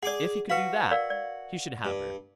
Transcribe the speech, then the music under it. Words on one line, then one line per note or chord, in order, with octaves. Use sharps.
If he could do that, he should have her.
G#4 D5 F#5 D6
F#4 B4 F5
A#4 D5 F5
D5
G2